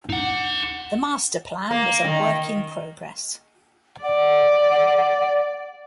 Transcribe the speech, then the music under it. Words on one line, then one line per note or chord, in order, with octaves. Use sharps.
The master plan was a work in progress.
D#4 F#5
A#3
D#3
D5 F#5